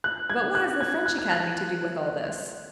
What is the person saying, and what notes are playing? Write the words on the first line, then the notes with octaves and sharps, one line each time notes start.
"But what has the French Academy to do with all this?"
F#6
G#6
F#6
G#6
F#6
G#6
F#6